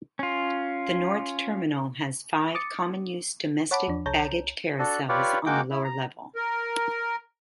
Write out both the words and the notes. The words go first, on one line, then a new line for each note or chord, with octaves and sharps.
The North Terminal has five common-use domestic baggage carousels on the lower level.
C#4 F4
D6 D#6 A6 C#7
C#5 F#5 A5 B5 D6
E2 F3 D4
C2 C#5 A5 A#5 G6
D4 F#4 A4
F4 G4 B4 C#5 D5
G#3 A#3 F#4 G5 D6
E4
A#5
A#4